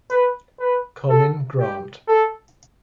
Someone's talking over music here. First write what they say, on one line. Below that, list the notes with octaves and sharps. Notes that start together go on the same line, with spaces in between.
Colin Grant.
B4
B4
A4
G4
A4